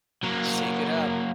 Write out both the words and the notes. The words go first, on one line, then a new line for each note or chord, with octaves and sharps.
Shake it up.
F#3 A#3